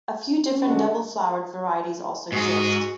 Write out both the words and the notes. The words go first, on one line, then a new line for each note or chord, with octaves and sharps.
A few different double-flowered varieties also exist.
C#4
D3 G#3 F#4
G#2 F#4 G#4